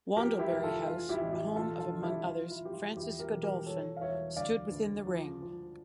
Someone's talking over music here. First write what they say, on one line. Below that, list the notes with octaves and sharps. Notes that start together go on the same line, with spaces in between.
Wandlebury House, home of among others, Francis Godolphin, stood within the Ring.
F3 G4 A#4
E4 G4
F1 A#4
F4 A4
E3 F4
E4 G4
A1
E4 G4
E1 F4 A4
F4 A4
D3
E4 G4
F3 F4
E4
F3 G4
F4
E2 E4 G4
G4 A#4
E1
G4 A#4
F3 A4 C#5
F5
E2 C#5 E5
D2 D5 F5
D2
F3
F3